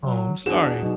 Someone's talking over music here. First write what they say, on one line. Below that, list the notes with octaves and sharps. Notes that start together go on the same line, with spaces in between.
Oh, I'm sorry.
F#3
E2 D4 F#4 G#4 E7
B2 F#3 D#4